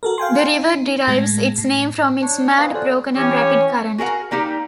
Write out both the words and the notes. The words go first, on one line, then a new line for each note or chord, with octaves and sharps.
The river derives its name from its mad, broken and rapid current.
F#4 A4 A#4
F5 G5 G#5 C6
D#4
A2 G#3 A#6
A2
D4 C#5
B3 C4 G#4 F5 G#5
F4 F#4 A4 C5 D5
E3 C#4 G4 C#5
F#4 G#4 A#4 F#5
G3 A#3 D#4 G4